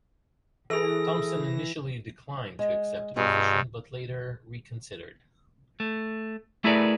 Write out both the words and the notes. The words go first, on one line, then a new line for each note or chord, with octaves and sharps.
Thompson initially declined to accept the position, but later reconsidered.
E3 G#4 A4 A#6
G#3
G2 B2 F4 G#4
A3
A3 E4 G#4 A#4 B4 D5